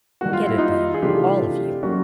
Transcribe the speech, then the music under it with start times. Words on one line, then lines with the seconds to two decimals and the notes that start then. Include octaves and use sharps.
'Get it, then--all of you.
0.21 D#3 G3 A#3 F#4
0.33 F4
0.46 E4
0.58 D#4 F4
0.94 G#4
1.02 C3 E3 A3 D4 F4 G4
1.83 F#3 A#3 C#4 F#4